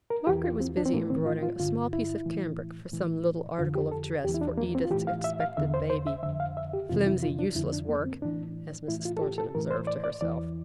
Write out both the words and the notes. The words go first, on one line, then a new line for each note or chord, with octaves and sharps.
Margaret was busy embroidering a small piece of cambric for some little article of dress for Edith's expected baby--'Flimsy, useless work,' as Mrs. Thornton observed to herself.
A#4
E2 E3 G4
F4
C4
D4
C4
A2 E3 A#3
C4
F4
F4
G2 D3 F4
E4
A2 E3
A2 E3
F2 D3 F4
G4
A4
E2 E3 G4
E4
D4
A#3
C4
F4
A2 E3 G4
F5
E5
F5
E2 D3 E5
C5
C5
E5
F2 D3 E5
F5
E5
G4
F2 C3 E3 F4
E4
F4
D4
F2 D3 E4
D4
A#3
C4
A2 E3 D4
A2 E3 E4
F4
A4
G4
A4
A2 E3 A#4
C5
D5
D5
E2 E3 D5